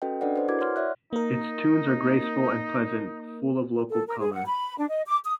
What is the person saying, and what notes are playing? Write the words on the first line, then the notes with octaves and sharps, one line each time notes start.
Its tunes are graceful and pleasant, full of local color.
C#4 F#4 A4 B4 D#5 G5
D4 A4 B4 D5 D#5 F#5
B4 C5 D5
E4 F#4 A#4 D6 G#6
C#5 F#5 C6 F6
C#5 D5 E5 F#6
A#3 D#4 A#4
A4
A#4
G#4
F#5
B5
D4
D#5
D6
D#6